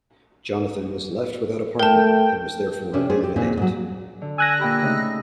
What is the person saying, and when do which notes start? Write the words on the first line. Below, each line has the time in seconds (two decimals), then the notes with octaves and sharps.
Jonathan was left without a partner and was therefore eliminated.
1.79 A3 A#4 G5 A5
2.93 C3 C#4 D4
3.10 A3 D4 G#4 C5
3.23 C4 G4
3.36 D#2 A#2 C4 D#4 G#4
3.57 G#2 F#3
4.21 D3
4.38 G#5 E6 F#6 A#6
4.60 A#2 G4 G5 B5
4.82 C#3 A3 D#4